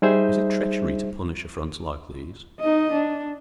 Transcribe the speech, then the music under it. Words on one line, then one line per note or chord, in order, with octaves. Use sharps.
Is it treachery to punish affronts like these?
G3 D#4 G#4 C5 E5
D#4 D#5
D4